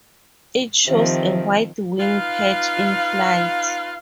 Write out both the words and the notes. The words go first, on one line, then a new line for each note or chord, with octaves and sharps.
It shows a white wing patch in flight.
C3 D#3 F3 C4
D#4 F4 B4 F5